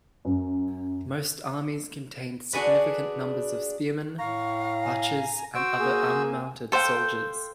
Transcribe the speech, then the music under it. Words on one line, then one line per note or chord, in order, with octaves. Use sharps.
Most armies contained significant numbers of spearmen, archers and other unmounted soldiers.
F#2
D4 F#4 G#4 B4
A2 F5 A#5 C#6
G#5
F#4 C5 E6 D7
A#3 G#4 G#5
A4 C5 F5 G5